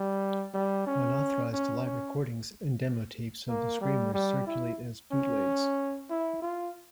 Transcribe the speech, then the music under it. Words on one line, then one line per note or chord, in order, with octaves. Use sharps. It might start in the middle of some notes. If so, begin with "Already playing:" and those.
Unauthorized live recordings and demo tapes of the Screamers circulate as bootlegs.
Already playing: G3
G3
C#4
C#4
C#4
A#3
G3
G3
E4
C#4
E4
F4